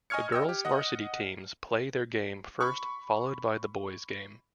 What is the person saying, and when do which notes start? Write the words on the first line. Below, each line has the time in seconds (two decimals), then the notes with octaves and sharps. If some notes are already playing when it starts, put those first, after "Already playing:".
The girls varsity teams play their game first followed by the boys game.
0.10 D#5 G#5 C#6 F6 G#6 C#7
0.32 D#5 G5 E6
0.49 G4
0.65 D#5 F#5 D#6
2.61 B5 C#6